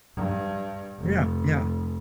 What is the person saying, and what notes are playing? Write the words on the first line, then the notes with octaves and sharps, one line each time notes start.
Yeah, yeah.
G2
F1